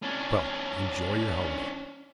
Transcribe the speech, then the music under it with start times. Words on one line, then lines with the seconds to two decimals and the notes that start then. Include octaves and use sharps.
Well! enjoy your holiday.
0.02 C#4 D4